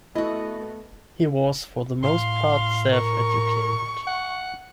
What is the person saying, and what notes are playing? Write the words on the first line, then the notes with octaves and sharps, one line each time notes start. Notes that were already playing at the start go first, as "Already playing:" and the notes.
He was for the most part self-educated.
A3 B3 E4 F#4 D#5
A2 F5 C6
A#4 C#6
F#5